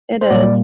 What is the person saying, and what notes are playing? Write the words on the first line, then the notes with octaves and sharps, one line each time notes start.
It is.
C5
A#2 G3 A#3 D5